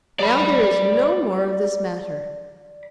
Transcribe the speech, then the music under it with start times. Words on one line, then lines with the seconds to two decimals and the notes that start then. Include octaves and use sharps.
Now there is no more of this matter.
0.19 D5 B5